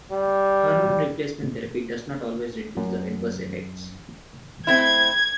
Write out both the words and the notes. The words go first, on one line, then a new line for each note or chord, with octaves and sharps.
Hormone replacement therapy does not always reduce the adverse effects.
G3
F#2
A3 C4 E4 G#6